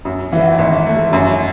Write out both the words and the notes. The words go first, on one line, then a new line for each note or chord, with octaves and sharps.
Yeah, you, too.
F#2
E3
G#1
A3
F#2